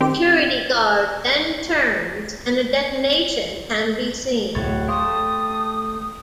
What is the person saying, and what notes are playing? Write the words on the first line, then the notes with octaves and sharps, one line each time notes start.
The security guard then turns and a detonation can be seen.
D#3 C4 G4
D1 A2 F#4 C#5 A6
A3 G4 F5 C6 C#6 D#6